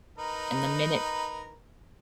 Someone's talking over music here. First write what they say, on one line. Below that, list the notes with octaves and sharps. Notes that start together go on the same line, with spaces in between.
And the minute
D#4 A#4 B4